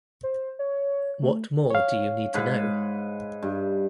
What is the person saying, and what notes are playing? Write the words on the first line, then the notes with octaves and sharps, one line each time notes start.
What more do you need to know?
C5
C#5
A3
C#5 F5
G#2 B4
G2